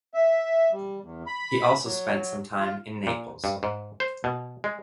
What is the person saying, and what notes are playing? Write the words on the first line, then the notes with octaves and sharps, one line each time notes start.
He also spent some time in Naples.
E5
G3
E2
B5
F#3
F4
A#2
G2
G#2
C5
B2
G#3